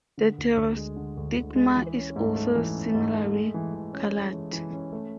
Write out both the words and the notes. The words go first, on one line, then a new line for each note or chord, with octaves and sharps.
The pterostigma is also similarly colored.
D3
D2
D2
G#3
D3
D2
D2
G#3
E3
C#4
G#2
A3
E3
C#4
G#2
A3
G#3
E3
E3
C#4
G#3
E3
E3
C#4
A3